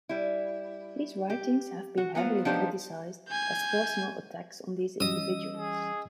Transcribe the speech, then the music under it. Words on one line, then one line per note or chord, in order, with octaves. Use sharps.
These writings have been heavily criticized as personal attacks on these individuals.
G3 E4
G4
F#4
F#3 B3 F4 C5
F3 B3 D4 D#4 G4 C5
G#5 G6
E3 G3 C#4 D#5 D#6 E6
G#4